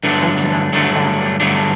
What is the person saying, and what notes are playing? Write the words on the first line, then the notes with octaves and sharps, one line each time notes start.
I cannot go back.
G2 D3 F#3 A3 D4
G2 D3 F#3 A3 D4
G2 D3 F#3 A3 D4